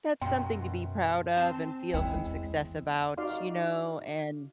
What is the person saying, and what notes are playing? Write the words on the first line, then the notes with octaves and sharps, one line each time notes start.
that's something to be proud of and feel some success about, you know, and
F#2 B2 G5 C6
C4 A5
E2 G#3 E4 G5
D#4 F#4 D5 F5 C6